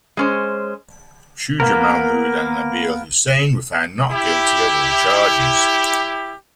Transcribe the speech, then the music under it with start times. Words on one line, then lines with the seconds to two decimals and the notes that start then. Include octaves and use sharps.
Shujah Mahmood and Nabeel Hussain were found not guilty of all charges.
0.17 G#3 C#4 C5
1.60 A#3 B3 A#4
4.12 E4 G4